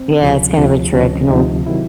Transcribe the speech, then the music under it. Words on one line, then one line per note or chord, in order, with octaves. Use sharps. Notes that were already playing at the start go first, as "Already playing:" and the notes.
Yeah, it's kind of a trick, an old
Already playing: C4
D2 C3 F3
D2 C3 F3
D2 C3 F3 C#4
D2 C3 F3 D#4
C3 D#3 F#3 E4